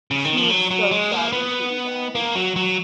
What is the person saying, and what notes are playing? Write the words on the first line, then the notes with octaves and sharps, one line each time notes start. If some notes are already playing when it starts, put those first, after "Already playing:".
She was so sad when Kitty died.
C#3
D#3
F3
F#3
F#3
G#3
A#3
B3
A#3
F#3
F#3